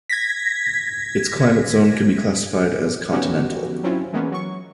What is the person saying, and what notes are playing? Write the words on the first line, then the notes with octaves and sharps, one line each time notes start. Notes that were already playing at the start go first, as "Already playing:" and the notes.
Its climate zone can be classified as continental.
G#6 A#6 B6
F3 B3 C#4 D#4 F#4 G4
F#3 C4 C#4 E4 F4
E3 G#3 A#3 B3 C#4
F#3 C#6